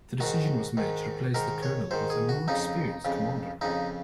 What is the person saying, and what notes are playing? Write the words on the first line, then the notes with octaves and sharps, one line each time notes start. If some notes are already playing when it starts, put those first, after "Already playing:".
The decision was made to replace the colonel with a more experienced commander.
G#2 D#3 F#4
G#2 D#3
G#2 D#3 A#4
C#5
G#2 D#3 C5
G#4
F#4
F2 C#3 D#4
F2 C#3
F2 C#3 D#4